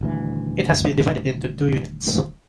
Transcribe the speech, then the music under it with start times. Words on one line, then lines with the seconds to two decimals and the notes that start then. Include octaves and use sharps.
It has been divided into two units.
0.01 D#1 D2 E3